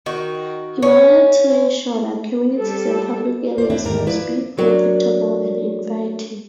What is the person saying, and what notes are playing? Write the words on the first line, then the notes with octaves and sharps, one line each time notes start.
He wanted to ensure that communities and public areas must be comfortable and inviting.
D#3 F#4
C#4
G3 A4
C5 D5
C4 D4 E4
E2 G#2 D#3 G3 A#4 D5
F3 E4 B4 D5
F#3 D4 A#4